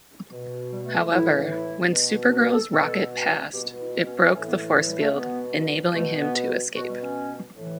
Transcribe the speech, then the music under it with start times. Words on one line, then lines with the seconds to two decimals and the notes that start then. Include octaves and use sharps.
However, when Supergirl's rocket passed, it broke the force field, enabling him to escape.
0.32 B2
0.71 G3
0.85 A3
0.98 A3
1.11 A2 E3 E4
1.51 E4
1.92 B2
2.33 D4
2.53 A4
2.73 B2 A4
3.53 B2 G4
3.67 F#4
3.81 E4
3.93 E4
4.07 C#4
4.21 B3
4.34 A2 E3 C#4
4.48 B3
4.61 A3
4.88 G3
5.01 A3
5.14 B2 B3
5.95 B2 A3
6.15 B3
6.75 B2 F#4
6.89 G3
7.03 C#4
7.56 A2 E3